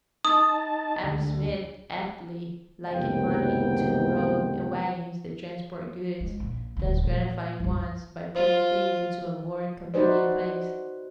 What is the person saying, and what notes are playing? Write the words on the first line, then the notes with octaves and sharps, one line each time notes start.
Adam Smith aptly likened money to the road and wagons that transport goods, thus gratifying wants by putting things into a more convenient place.
D#4 A5 D#6
D2
F#1 C#2 C3 D#3 B3 G5
G#3
A#1
D#1 D2
A#2 F3
G1 C2
F4 C5
D#4 F#4 B4 C5 D5